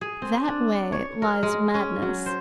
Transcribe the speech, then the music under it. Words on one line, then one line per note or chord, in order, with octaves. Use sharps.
That way lies madness.
G#4
C4
D4
C#5
A#4
G#3
C#4
F#3
C5